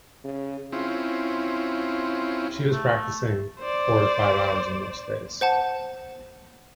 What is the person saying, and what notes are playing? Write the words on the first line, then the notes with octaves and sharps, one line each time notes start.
She was practicing four to five hours on most days.
C#3
C4 C#4 E4 F4
A3
C5 D5
C5 F#5 A5